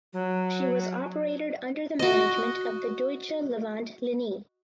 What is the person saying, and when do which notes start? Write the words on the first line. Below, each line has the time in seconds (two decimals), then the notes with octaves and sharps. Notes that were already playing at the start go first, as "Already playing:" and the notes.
She was operated under the management of the Deutsche Levant Linie.
0.13 F#3
1.99 F#4 D#5